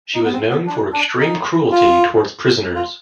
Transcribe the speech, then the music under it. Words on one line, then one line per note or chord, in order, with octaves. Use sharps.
She was known for extreme cruelty towards prisoners.
D#4
B3
C4
B3
D4
D4
D#4
F4
F4